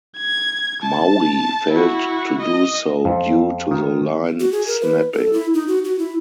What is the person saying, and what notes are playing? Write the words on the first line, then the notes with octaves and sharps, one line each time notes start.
Maui failed to do so due to the line snapping.
G#6
A5
E4 F#4
D#5
F2
D#3
F#4
G#4
A#4
B4
A4
E4
D#4
F#4
F#4
E4